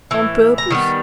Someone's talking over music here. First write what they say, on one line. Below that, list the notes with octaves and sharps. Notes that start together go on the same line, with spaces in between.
On purpose.
A2 E3
A#5
D#3 G3 B3